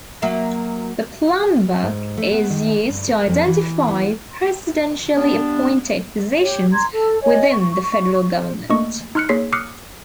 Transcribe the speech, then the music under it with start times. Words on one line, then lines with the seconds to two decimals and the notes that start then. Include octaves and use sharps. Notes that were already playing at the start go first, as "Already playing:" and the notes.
The Plum Book is used to identify presidentially appointed positions within the federal government.
0.22 F#3 A#3 E5
1.82 G#2
2.17 A3
2.31 B3
2.50 D#3
2.89 G2
3.08 A#4
3.27 F2
3.46 E3
3.88 B3
5.15 G3 B3 D4
6.39 G4 C#5
6.71 A#5 C6 G#6
6.92 A4
7.22 C#5 D#5 G#5
7.50 C#6
8.35 C5
8.70 A3 A#3 D4 D#5 C#6
9.15 D#4 C6 F6 F#6 C#7
9.29 A#3 G#4 C#5 C6 B6 C7
9.53 D6 D#6 F6 F#6 C7 C#7